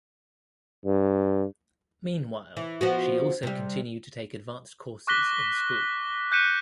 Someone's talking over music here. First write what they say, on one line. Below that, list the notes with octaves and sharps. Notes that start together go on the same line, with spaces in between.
Meanwhile, she also continued to take advanced courses in school.
G2
E3
F3 B3 F#4
C3 G3
C#6 D6 F#6 A#6 B6 G7
F#6 G6 B6 C#7 D#7 E7